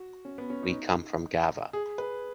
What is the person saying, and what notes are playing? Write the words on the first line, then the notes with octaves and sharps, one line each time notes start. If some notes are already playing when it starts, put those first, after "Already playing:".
We come from Gavà.
Already playing: F#4
C#4
B3
C#4
D#4
G#4
B4